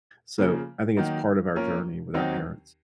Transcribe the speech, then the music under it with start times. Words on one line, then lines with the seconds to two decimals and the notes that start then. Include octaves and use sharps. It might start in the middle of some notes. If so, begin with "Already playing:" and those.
So I think it's part of our journey with our parents,
0.38 C#3 F3 A#3
0.97 D#3 F#3 A#3 D#4
1.55 F3 A#3 C#4 F4 A#4
2.14 D#2 D#3 F#3 C4 D#4